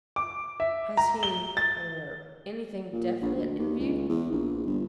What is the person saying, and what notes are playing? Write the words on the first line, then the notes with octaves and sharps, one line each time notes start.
"Has he--er--anything definite in view?"
D6
E5
A#5
G7
A6
A#2
A#1
D2
D#2
C#2
E2
A#1
G1